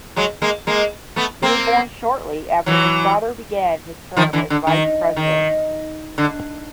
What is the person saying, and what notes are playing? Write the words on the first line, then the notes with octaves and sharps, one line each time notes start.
He was born shortly after his father began his term as vice president.
F#3 G#3
G#3 A#3
G#3 A#3
A3 B3
A#3 C4
E3 F#3
D#3 F3
D3 E3
D3
D#3
D#3
D3